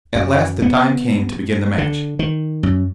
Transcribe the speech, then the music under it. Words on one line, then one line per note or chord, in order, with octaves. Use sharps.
At last the time came to begin the match.
F#2
B3
D3
D#3
F#2